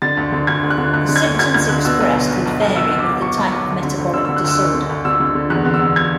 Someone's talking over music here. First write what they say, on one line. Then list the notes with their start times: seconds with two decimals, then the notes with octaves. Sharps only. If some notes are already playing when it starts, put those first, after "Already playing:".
The symptoms expressed would vary with the type of metabolic disorder.
0.02 D3 A6
0.17 D2
0.32 D3
0.47 D2 G#6
0.63 D2
0.70 F#6
0.78 D3
0.93 D2 F#6
1.09 D3
1.16 G#6
1.23 D2
1.39 D2 G#6
1.54 D2 G#6
1.69 D3 F#6
1.85 B2 E6
2.00 B1
2.15 B1
2.31 B1
2.46 B1
2.61 B1
2.76 B2 E6
2.91 B2
2.99 D6
3.07 B1
3.22 B1 C#6
3.37 B1
3.53 B1
3.67 D2
3.83 D3
3.98 D2
4.13 D3 E6
4.25 D3 E6
4.36 F#6
4.44 D2 E6
4.59 D2
4.74 D3
4.89 D2
5.05 D3 E6
5.20 D3
5.35 D3
5.50 E2 F#6
5.66 D3
5.74 E6
5.81 D3
5.96 G#6